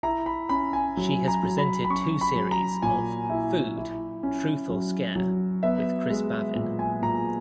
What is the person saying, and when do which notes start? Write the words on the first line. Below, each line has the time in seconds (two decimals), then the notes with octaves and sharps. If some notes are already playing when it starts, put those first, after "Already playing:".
She has presented two series of "Food: Truth or Scare" with Chris Bavin.
0.03 E4 A#5
0.26 B5
0.49 C#4 B5
0.73 G#5
0.97 F#3
1.28 A#5
1.43 F#3
1.58 B5
1.84 B5
1.90 C#4 C#6
2.21 B5
2.36 F#3
2.51 A#5
2.82 A#2 G#5
3.30 E4
3.77 E4
4.23 C#4
4.70 F#3
5.16 F#3
5.63 B3 E5
6.10 G#3
6.55 A#2
6.79 G#5
7.02 A#2 A#5